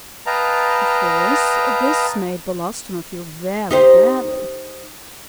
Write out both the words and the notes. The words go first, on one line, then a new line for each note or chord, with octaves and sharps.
Of course this made Belostoma feel very badly.
B4 D#5 F5 G5 A5 A#5
D#4 G4 C5